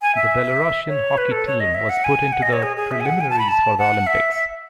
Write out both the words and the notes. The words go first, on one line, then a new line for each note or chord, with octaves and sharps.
The Belorussian hockey team was put into the preliminaries for the Olympics.
G#5
E5
C#5
B4
A4
C#5
D#5
E5
F#5
G#5
F#5
D#5
C#5
G#4
G#4
E5
G#5
F#5
G#5
A5
B5
A5
F#5
E5
E5